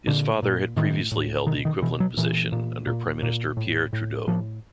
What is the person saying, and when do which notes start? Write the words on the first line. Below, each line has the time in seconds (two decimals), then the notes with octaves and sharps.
His father had previously held the equivalent position under Prime Minister Pierre Trudeau.
0.07 A#2 D3
0.43 A#2
0.77 A2 D#3
1.12 A2
1.46 B2 D#3
1.65 D#3
1.82 B2 E3
2.00 F#3
2.17 A#2 E3
2.52 A#2
2.87 A#2
3.23 A#2
3.57 A2
3.93 A2
4.27 A2 F3